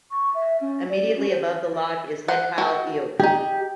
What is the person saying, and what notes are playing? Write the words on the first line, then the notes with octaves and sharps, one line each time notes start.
Immediately above the lock is Headpile Eyot.
C#6
E5
C#4
D5
C#4
C5
C5 F#5
F#4 A4 G5
D#4 G4 G#4